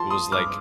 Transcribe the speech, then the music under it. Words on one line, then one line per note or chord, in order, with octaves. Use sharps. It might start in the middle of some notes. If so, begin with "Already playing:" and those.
it was, like,
Already playing: F3 A5 C6
C6 D#6
G2 D6 F6